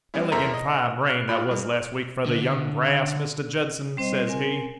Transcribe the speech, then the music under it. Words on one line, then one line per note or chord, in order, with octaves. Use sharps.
Elegant fine rain that was last week for the young grass, Mr. Judson?' says he.
G3 B3 C#4 E4
E2 A4 A#4 C5 E5 A#5
D#5
F6 F#6
A#2 F4 B5
C3 G3
D3
G3 C4 C5 D#5
C4 A#4 G#5